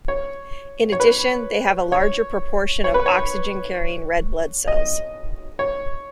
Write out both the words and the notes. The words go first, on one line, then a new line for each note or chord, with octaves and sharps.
In addition, they have a larger proportion of oxygen-carrying red blood cells.
C#5
C#5
B4
C#5
C#5
B4
C#5
D#5
C#5